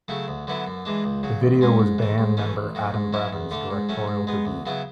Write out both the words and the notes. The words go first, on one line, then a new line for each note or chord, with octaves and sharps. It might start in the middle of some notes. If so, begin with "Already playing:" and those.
The video was band member Adam Bravin's directorial debut.
C#3 F#3 A3 E4
D2
D3 F#3 B3 E4
F#2
E3 G#3 D4
C#2
C#3 F#3
A1
G#2 G#3 C#4
G#2
E3 A3
G#2
E3 A3 C#4
A1
A2 F#3
G#2
F#3 C#4 E4
E2
D3 A3 D4
G#2
F#3 A3 C#4
G#2
G#3 B3
D2
C#3 F#3 B3 E4